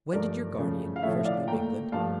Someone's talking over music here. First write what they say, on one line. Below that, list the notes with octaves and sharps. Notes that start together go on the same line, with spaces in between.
"When did your guardian first leave England?"
G2 F3 A3 A#4 D5
C#3 F3 A3
F5
A2 F3 A3 C#5 E5
D5 F5
A#2 A3 G5 A#5
G2 F3 A3 F5 A5